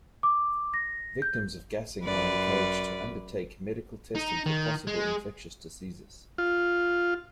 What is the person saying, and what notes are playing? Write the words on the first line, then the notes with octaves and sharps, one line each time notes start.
Victims of gassing are encouraged to undertake medical testing for possible infectious diseases.
D6
A#6
G6
F#2 B4 D5
D#4
D#3
G#3
F4